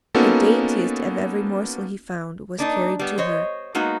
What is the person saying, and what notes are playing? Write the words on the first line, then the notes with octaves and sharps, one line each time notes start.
The daintiest of every morsel he found was carried to her.
A#3 B3 C#4 D#4 F#4 A4
A#3 D4 D#4
G3 B3
C5 C#5 D#5
G#3 A#3 B3 D#4 F#4